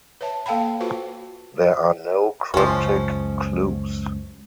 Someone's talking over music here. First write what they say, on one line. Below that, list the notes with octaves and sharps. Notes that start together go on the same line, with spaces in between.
There are no cryptic clues.
B4 C#5 E5 A5
A#3 A4 F5 G5 A5 B5
F4 F#4 A4 B4 C5
C#2 F#2 F3 C#4